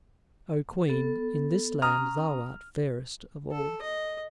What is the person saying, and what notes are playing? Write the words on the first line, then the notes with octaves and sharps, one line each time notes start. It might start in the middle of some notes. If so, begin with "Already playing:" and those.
"O Queen, in this land thou art fairest of all."
B3 A4
C#4 A#5 D#6 F6
A4
D#5